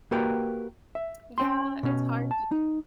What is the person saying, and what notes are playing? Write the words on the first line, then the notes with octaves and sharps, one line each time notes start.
Yeah, it's hard each year
A#3 F#4 G4 A#4 B4 G5
E5
C#4 G5 C6
B2 C#4
A5
D#4